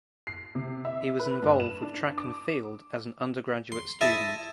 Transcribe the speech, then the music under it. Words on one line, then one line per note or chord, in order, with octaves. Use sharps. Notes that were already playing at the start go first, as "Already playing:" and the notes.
He was involved with track and field as an undergraduate student.
C7
C3
E5
B4
G2
E7
D4
D6
C6
E4 D#5 E5 A5